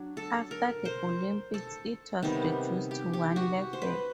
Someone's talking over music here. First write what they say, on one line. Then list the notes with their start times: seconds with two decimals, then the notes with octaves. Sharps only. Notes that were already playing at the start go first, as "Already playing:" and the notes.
After the Olympics, it was reduced to one level.
Already playing: F#3 D4
0.17 A4
0.51 A#4
0.85 C5
1.54 A4
2.23 C3 D#3 G3 B3
2.91 G4
3.13 G4
3.36 F#4
3.73 C5
3.82 B4